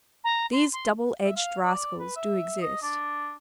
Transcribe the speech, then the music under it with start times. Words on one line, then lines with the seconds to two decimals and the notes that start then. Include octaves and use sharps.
These double-edged rascals do exist.
0.24 A#5
0.52 C6
0.73 C6
1.24 E5
1.36 F5
1.64 D5
1.99 B4
2.16 E5
2.62 D#5
2.82 D4